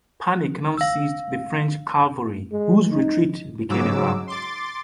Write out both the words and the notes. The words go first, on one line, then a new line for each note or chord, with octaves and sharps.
Panic now seized the French cavalry, whose retreat became a rout.
F5 E6
G#3
D#4
G#2 C#3 F#3 D6 E6
C6 D6 A6